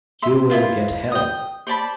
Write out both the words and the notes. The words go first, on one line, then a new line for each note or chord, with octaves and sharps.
You will get help.
E5 C6
E4 F4 C5
G5 D#6
C5 D5 A5 B5